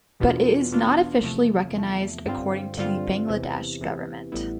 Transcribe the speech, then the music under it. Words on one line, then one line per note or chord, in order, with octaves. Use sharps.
But it is not officially recognized according to the Bangladesh government.
E2 B2 B3 D4 F4
E2 B2 B3 D4 F4
E2 C3 F3 A3
E2 C3 F3 A3
G2 D3 G3 C4 F4
G2 D3 G3 C4 F4
E2 C3 E3
E2 C3 E3
A1 A2 G3 B3 E4